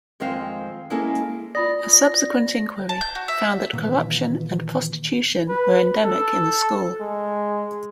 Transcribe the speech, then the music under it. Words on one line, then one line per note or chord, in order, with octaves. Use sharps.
A subsequent inquiry found that corruption and prostitution were endemic in the school.
F2 D#3 G#3 C4 F5
G#3 A#3 C#4 E4 G#4 A4
F4 D5 B5 D#6 A#6
A5
G6
F#4
E5
A#2 D#3 E3
B4
A4
G#3